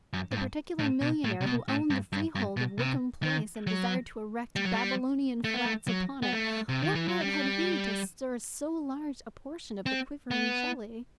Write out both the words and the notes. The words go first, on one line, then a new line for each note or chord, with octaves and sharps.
The particular millionaire who owned the freehold of Wickham Place, and desired to erect Babylonian flats upon it--what right had he to stir so large a portion of the quivering jelly?
F#2
A2
G2
A2
B2
A2
C3
B2
A2
G2
G2
G2
B2
C3
D#3
F#3
G3
F#3
G3
A3
B3
A3
F#3
B3
A3
C3
D#3
E3
F#3
G3
C4
B3